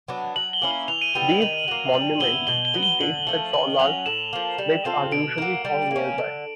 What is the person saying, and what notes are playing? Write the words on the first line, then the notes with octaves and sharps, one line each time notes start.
These monuments pre-date the taulas, which are usually found nearby.
F#3 B3 D4
F#3 F#7
G7
A#3 C#4 E4
F#7
E3 F7
D#7
G3 B3 E4 G7
F#7
D#3 F#7
F#3 A#3
G3 F#7
B3 E4 G7
B2 G7
G7
F#3 B3
G7
D3 F#7
F3 A3 G7
D#3 F#7
F#3 A#3 C#4 F7
A2 E7
F3 A#3
G3
C4 F4 A4
B2 D7
F#3 A#3
G3
A#3 C#4
D3